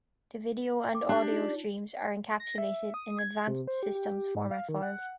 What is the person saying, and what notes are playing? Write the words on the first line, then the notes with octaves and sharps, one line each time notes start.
The video and audio streams are encapsulated in Advanced Systems Format files.
G5 D6
D4 G4 A5 F#6
D#4 F4
A#6
E5
D#6
G#6
C3
C5
G4
G4
G#2
F5
D#3
F#5